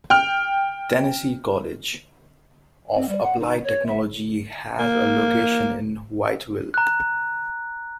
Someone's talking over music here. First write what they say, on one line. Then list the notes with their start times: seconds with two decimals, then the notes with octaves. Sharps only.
Tennessee Colleges of Applied Technology has a location in Whiteville.
0.10 G5 F6
2.95 C4
3.09 G3
3.23 F#5
3.39 D#4
3.63 C#5
3.86 E5
4.79 A#3
6.74 A#5 F#6